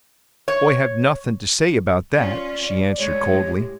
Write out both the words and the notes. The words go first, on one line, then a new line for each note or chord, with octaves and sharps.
"Oi have nothin' to say about that," she answered coldly.
C#5
C#4 F4 D5
A2 G#3 C#5
G4